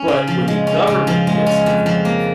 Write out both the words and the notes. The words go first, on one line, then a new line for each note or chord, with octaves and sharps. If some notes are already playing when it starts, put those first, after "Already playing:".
but when the government gets involved,
Already playing: C#4
C#3
F3
G#3
C#4
C#3
F3
G#3
C#4
F2
F3
A#3